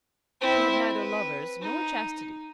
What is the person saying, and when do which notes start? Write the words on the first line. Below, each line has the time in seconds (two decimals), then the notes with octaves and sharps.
She had neither lovers nor chastity.
0.41 C4 E4
0.96 B4
1.61 D#4